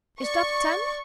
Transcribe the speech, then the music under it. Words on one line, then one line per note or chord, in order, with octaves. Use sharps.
"Is that ten?"
D5 C#6